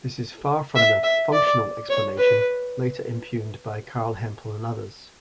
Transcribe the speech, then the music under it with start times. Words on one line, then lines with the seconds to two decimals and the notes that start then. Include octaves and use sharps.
This is far from the 'functional explanation' later impugned by Carl Hempel and others.
0.76 E5
1.03 E5
1.32 D5
1.90 C#5
2.17 B4